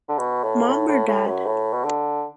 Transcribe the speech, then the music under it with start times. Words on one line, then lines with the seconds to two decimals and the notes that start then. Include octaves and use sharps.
Mom or Dad?
0.09 D3
0.19 B2
0.44 A2
0.69 A2
0.89 A2
1.08 A2
1.26 F#2
1.46 A2
1.73 B2
1.84 D3